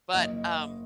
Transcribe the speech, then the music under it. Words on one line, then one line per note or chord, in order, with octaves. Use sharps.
But, um,
F#1 D#5